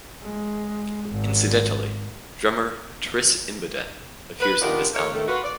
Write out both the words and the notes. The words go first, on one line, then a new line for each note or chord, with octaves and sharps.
Incidentally, drummer Tris Imboden appears on this album.
G#3
G#1
B4
B3 D4 D#4 F4 G4 A#4
A3 A#3 A#4 C#5
D#3 A3
F4 F#4 B4
D5